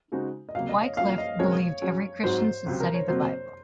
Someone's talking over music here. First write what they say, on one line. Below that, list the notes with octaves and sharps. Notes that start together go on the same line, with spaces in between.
Wycliffe believed every Christian should study the Bible.
C#3 G#3 D#4 F#4 C5
D#5
C#2 C3 F#3 A#3 F5
D#5
C#5
F#3 A#3 C#4 F4 F5
D#5
C#3 G#3 C4 F#4 A#4 C#5
F#3 C#4 G#4
G#2 F#3 C4 F#4 C5
C#2 C3 F#3 C4
A#4
C#5
F2 C3 F#3 A#3 C5